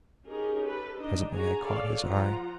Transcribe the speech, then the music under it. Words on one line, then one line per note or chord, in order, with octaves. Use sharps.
Presently I caught his eye.
C#4 D#4 G4 G#4 A#4
G4 A4 B4
D4 D#4 D#5
F#4 G#4 G#5 A#5
G#4 A4 C#5 D5 F5
F3 F4 F#5 A#5